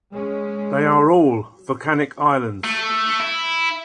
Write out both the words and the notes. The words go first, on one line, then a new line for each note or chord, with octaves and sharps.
They are all volcanic islands.
G#3 C#4
A3
E4